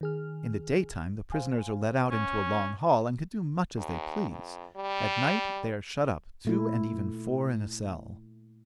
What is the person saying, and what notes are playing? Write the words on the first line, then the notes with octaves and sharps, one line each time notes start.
In the daytime the prisoners are let out into a long hall, and can do much as they please; at night they are shut up, two and even four in a cell.
D#3 G#4 F6
C5 F5 G#5
C#4
D#2
F2
G3
A#2 A3 E4